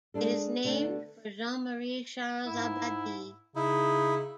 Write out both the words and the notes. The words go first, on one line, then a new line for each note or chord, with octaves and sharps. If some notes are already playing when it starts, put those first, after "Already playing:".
It is named for Jean Marie Charles Abadie.
G#3 A3 D4 A4
D3 A3 B3
G#2 E4
C#3 D#4 E4